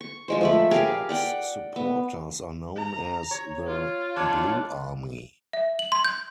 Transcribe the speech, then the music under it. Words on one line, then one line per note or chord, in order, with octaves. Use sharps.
The club's supporters are known as the "Blue Army".
C#6
F3 G#3 C5
F3 A3 B5
G4 G#4 A#4 F5
D5 F#5 G5
B3
A#5
C#5
F4
F2 D4 C#5
E5
F#7
C6
G6